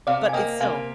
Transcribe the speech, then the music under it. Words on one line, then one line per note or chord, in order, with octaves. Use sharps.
but it's still
C3 D5 F5
G#5
A#3 D#5 G5
C3 F5 G#5